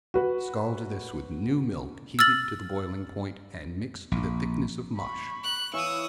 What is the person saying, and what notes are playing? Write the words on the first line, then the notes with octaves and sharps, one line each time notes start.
Scald this with new milk heated to the boiling point and mix to the thickness of mush.
F#4 B4
E6 F6 A6 F#7
A#1
B5 C#6
F#6
E3 C#5 F5 G#5 C#6 D#6 E6